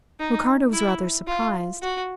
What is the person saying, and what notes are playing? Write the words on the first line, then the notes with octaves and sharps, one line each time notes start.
Ricardo was rather surprised.
D#4
E4
F4
F#4